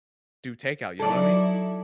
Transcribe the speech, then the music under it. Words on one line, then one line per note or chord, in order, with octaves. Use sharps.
do takeout, you know what I mean.
F#3 D#4 E4 A4 D5